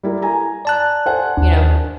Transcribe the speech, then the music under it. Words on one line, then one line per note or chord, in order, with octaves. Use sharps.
you know,
G3 E4 A#4
G#5 A#5
D5 A5 F#6
C5 F#5 G#5
D#2 D4